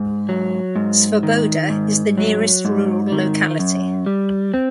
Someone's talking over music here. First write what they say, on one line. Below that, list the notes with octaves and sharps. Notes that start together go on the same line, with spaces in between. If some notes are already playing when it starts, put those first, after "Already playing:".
Svoboda is the nearest rural locality.
Already playing: G#2
F#3
G#2
D#3
G#2
F#3
G#2
D#3
F#2
G3
C4